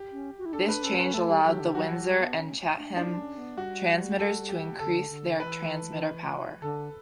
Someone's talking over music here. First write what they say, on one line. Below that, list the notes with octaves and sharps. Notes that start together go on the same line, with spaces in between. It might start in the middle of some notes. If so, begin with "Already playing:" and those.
This change allowed the Windsor and Chatham transmitters to increase their transmitter power.
Already playing: G4
C#4
F#4
E4
D4 A4
B4
C#4 A4
B4
A3 A4
G3
F#3 G4
D3
F#3 F#4
F#3
G3
B3
C#4
D4
D4 E4
C#4
B3
G3 F#4
A4
G4
D3 A4
D3
E3 B4
D3 A4